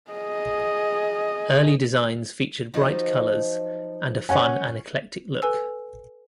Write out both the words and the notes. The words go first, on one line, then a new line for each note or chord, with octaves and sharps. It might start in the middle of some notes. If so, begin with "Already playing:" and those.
Early designs featured bright colors and a fun and eclectic look.
G#4 D#5
F3 F#3 D#4
C#4 C#5 F#5 G#5
A4 B4 G#5 E6